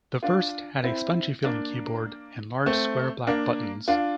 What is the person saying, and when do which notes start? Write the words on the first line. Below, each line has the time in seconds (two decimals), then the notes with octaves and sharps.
The first had a spongy-feeling keyboard and large square black buttons.
0.23 D4 F4
0.84 C4 E4
1.44 A#3 D4
2.66 A3 C4
3.27 A#3 D4
3.88 D4 F4